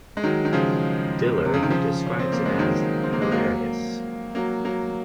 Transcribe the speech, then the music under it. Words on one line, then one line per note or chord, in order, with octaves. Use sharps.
Dillard describes it as "hilarious".
G#3
D#3 F#3
D#3
C#3 F3
C3
C#3
D#3
C#3 F3
C#4
C4
A#3
G#3
D#3 F#3
C4
A#3
G#3
F#3 A#3
F#3 A#3
F#3 A#3